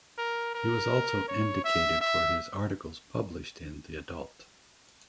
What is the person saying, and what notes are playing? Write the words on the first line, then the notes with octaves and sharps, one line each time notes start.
He was also indicated for his articles published in "The Adult".
A#4
A#4
C#5
E5
E5